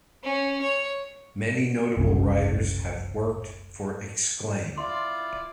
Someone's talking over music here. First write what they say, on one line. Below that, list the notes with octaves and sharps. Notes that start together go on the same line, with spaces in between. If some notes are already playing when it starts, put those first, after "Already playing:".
Many notable writers have worked for Exclaim!
C#4
C#5
F#1 C2 C#4
E4 F4 D5 C6